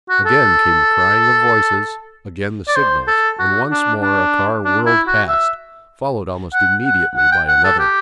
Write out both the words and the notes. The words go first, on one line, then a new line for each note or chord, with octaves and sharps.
Again came the crying of voices, again the signals, and once more a car whirled past, followed almost immediately by another.
F#4
A4
D5
C5
A4
F#4
D4
D4
D4
E4
F#4
E5
F#5
F#5
F#5
G5
F#5
A4
G4